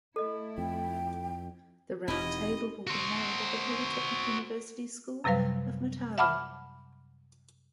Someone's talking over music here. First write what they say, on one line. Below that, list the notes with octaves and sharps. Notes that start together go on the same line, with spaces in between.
The round table will be made at the Polytechnic University School of Mataró.
A3 E4 A4 D#5
F2 G5
E1 C4 D#4 E4 G4 D#5 B5
F#4 C5
F#2 C3 F#3 G3 B4 F5
E5 F#5 A5 B5 D6 F6